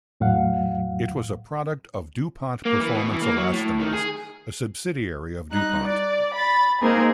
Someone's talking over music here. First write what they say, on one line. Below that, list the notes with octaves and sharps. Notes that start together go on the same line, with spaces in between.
It was a product of DuPont Performance Elastomers, a subsidiary of DuPont.
E2 A2 F#3 F5 F#5
A#3
E3
B2
E3
A#3
F#3
A2
D#3
G#4
G3 D#4 F#6
D5
B5 A6
A#3 C4 D#4 G#4 A#4